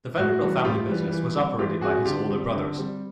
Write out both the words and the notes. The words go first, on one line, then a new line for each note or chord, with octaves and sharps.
The Vanderbilt family business was operated by his older brothers.
A2 F#4
E3 G3
A2 F4 G4
E3 G3
E3
G3 C4
E3 F4 G4
G3 C4 F#4 G#4
D3 F4 G4
G3 C4
D3
G3 C4